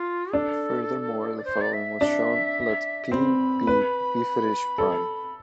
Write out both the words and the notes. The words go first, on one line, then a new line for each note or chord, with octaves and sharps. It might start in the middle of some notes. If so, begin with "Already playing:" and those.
Furthermore, the following was shown: Let "p" be a Wieferich prime.
Already playing: F4
D4 A4
D5
C5
D5
E5
D4
C4 B5
B4
A4